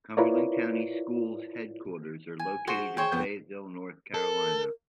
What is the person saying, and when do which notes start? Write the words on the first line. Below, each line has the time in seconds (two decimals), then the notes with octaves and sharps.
Cumberland County Schools' headquarters are located in Fayetteville, North Carolina.
0.17 E4 F4 A#4 B4 C#5 D5
2.39 G#5
2.67 F#4 G#4 C5
2.97 G#4 C5 C#5 G5
3.11 F2 B3 G6
4.14 A4 A#4